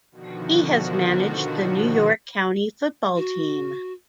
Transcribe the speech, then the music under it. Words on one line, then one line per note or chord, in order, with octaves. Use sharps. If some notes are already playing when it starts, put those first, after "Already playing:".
He has managed the New York county football team.
B2 D3 D#3 F3 F#4
F#4